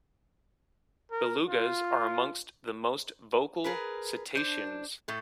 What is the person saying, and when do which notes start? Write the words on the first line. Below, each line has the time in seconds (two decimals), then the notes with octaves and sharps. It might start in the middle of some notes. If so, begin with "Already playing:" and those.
Belugas are amongst the most vocal cetaceans.
1.11 A#4
1.48 F4
3.64 G#4 A#4 B4
4.35 D4 C5
5.08 A2 A4